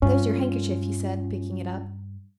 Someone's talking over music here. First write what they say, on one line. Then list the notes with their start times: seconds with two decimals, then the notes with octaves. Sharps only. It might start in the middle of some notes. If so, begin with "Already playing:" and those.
"There's your handkerchief," he said, picking it up.
0.02 G2 C#4 F4